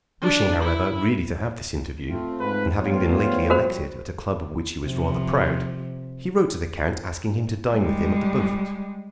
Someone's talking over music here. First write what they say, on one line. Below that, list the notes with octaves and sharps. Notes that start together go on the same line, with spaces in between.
Wishing, however, really to have this interview, and having been lately elected at a club of which he was rather proud, he wrote to the count asking him to dine with him at the Beaufort.
D4
E4
A3 C4 F4
G#2 B4
F3 G3 A3 B3 F4 C#5
F#4 A#4 C5
C3 F3
G3 G#3